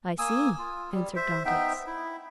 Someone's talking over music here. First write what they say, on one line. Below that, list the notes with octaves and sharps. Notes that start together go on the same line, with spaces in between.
"I see," answered Dantes.
A#3 G#5 D#6 E6
F4
G3
C5 E5
B3 D#4 E5 G5
E4